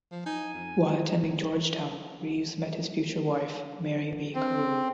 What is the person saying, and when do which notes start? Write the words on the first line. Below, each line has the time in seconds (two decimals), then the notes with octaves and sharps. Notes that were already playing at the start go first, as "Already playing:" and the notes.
While attending Georgetown, Reeves met his future wife, Mary V. Corroon.
0.11 F3
0.26 D#4 G#5
0.54 F2
4.35 C4